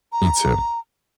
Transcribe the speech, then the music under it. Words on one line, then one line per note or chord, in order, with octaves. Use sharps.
You too.
A#5